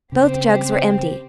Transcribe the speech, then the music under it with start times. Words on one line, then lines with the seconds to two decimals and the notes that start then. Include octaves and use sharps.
Both jugs were empty.
0.12 C#3 C4 G4 C5